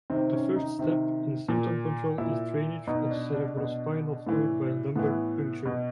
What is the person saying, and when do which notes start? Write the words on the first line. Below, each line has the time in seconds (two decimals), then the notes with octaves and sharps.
The first step in symptom control is drainage of cerebrospinal fluid by lumbar puncture.
0.10 C3 D#3 C4
0.33 C#4
0.56 D#4
0.79 C3 D#3
1.48 A#2
2.18 A#2 E4
2.87 B2 D#4
3.10 D4
3.34 D4
3.57 B2
4.27 A2 E3
4.96 A2 E3 B3
5.65 B2